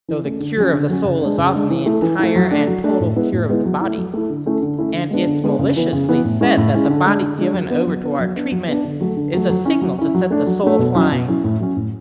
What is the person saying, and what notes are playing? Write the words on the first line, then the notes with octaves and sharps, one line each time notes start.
Though the cure of the soul is often the entire and total cure of the body: and it's maliciously said that the body given over to our treatment is a signal to set the soul flying.
E3
A3 C#4
D3
F#3 C#4
D3
F#3 C#4
C#3
G#3 D4
C#3
G#3 D4
E3
A3 E4
E3
A3 E4
F#3
A3 D4
F#3
A3 D4
A2
G#3 B3 E4
A2
G#3 B3 E4
F#3
A3 E4
F#3
A3 E4
D3
A3 C#4 E4
D3
A3 C#4 E4
D3
G#3 B3 D4
D3
G#3 B3 D4
C#3
E3 B3 E4
C#3
E3 B3 E4
A2
G#3 C#4 E4
A2
G#3 C#4 E4
D3
G#3 D4
D3
G#3 D4
F#3
B3 D4
F#3
B3 D4
F#3
B3 D4
F#3
B3 D4
D3
F#3 A3
D3
F#3 A3
F#3
C#4 E4
F#3
C#4 E4
F#3
A3 D4
F#3
A3 D4
B2
F#3 C#4 E4
B2
F#3 C#4 E4
A2
F#3 C#4
A2